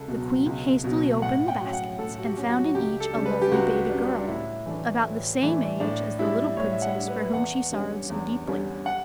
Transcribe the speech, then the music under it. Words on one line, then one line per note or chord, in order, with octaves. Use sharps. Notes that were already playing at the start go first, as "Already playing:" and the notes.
The Queen hastily opened the baskets, and found in each a lovely baby-girl, about the same age as the little Princess for whom she sorrowed so deeply.
Already playing: C#2 A4
B2 F#3
C#2
B2 F#3
A2 F#5
G5
F#3 C#4
F#5
A2 A4
F#4
G4
F#3 C#4
F#4
C#2 G4
A4
C#3 G3 D4
B4
G4
C#2 F#4
C#3 G3 D4
D4
A2 E4
E3 A3 D4
A2
E3 A3 D4
A2 D4
G3 D4 E4
A2 C#5
E5
F#5
G3 D4
B4
E2 F#5
D3 G3 C#4
E2
D3 G3 C#4
F#5